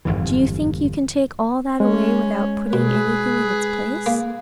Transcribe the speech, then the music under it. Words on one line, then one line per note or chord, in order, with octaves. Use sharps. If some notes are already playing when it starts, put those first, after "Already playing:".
Do you think you can take all that away without putting anything in its place?
G1 F2 G#2 E3
G#3 C#4
B2 G#4 B4
A#3